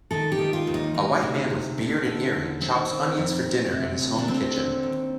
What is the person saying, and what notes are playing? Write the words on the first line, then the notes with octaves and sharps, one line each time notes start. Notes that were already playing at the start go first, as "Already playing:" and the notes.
A white man with beard and earring chops onions for dinner in his home kitchen.
D#3 A4
G4
D#3
F4
D#2
D#4
D2 D#4
C3
D2
D3
D3
D#2
D#3 C4
D#3
F2
D2
C3
D2
D4
D3 C4
D3
D#2